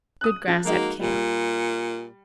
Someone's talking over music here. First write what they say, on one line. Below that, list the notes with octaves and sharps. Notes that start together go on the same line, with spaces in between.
Good grass at camp.
D#6 F#6
F3
G#3 A#3 D#4 F#4
A#2 G3